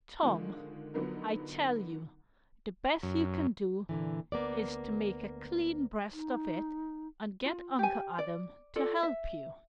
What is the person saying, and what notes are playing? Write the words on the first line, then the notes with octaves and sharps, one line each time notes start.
"Tom, I tell you the best you can do is to make a clean breast of it and get Uncle Adam to help you."
D3 D#3 F3 G#3 F4
D3 F3 F#3 B3 D#4 A#4
F#2
A#2 D3 E3
D2 A#3 B3 D5
D#4
F4
G4 G#5
D5
F4 A4 D5
E5